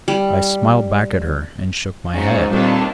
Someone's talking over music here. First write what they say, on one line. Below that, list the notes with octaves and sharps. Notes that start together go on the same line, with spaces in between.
I smiled back at her, and shook my head.
G3
G#2 C#4 F4 F#4
D#2 A#2 G3 C4 D4 F4 A4